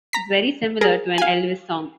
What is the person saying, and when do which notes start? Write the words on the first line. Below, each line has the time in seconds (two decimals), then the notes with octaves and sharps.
It's very similar to an Elvis song.
0.13 A#5 B6
0.81 G#4 A#4
1.18 F5 G#5